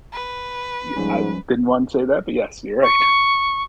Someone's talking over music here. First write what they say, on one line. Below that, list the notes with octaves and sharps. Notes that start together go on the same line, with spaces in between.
y I didn't want to say that, but yes, you're right.
B4
G#2 F3 G3 C#4
C#6